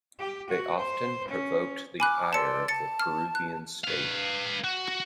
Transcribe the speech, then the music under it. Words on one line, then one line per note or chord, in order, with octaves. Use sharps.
They often provoked the ire of the Peruvian state.
G4
F#4
C5
C#4
G#5 B5 D6 F6 F#6
D5 A5 C6 E6 C#7
A5 A6 C#7
F6
F#6
B4 F5
F#4